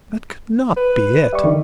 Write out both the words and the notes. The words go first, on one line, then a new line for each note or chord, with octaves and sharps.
That could not be it.
B4
G3 E5 C#6
D3 D#3